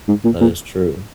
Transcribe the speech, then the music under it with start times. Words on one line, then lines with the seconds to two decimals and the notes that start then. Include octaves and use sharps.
That is true.
0.08 G#2
0.25 A#2
0.41 A#2